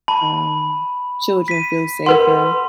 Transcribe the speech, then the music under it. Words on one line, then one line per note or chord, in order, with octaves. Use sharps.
um, children feel safer.
A5 B5
B6 D#7
A#4 B4 F#5 C6